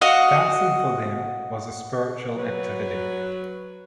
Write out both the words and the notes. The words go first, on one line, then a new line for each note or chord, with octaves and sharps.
Dancing, for them, was a spiritual activity.
F#4 D#5 F5 F#5
F#3 B4